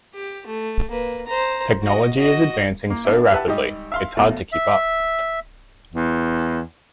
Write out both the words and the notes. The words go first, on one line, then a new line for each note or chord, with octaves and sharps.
Technology is advancing so rapidly, it's hard to keep up.
G4
A3
A#3 B4
C5 A#5
F#4 D#5
F#4 D#5
A#3
B3 D4 E4
G4 B4 E5 F#5 A5
G#1 G3 G4 D#5
E5 F5 C6
F2 B2 A3
E5
E2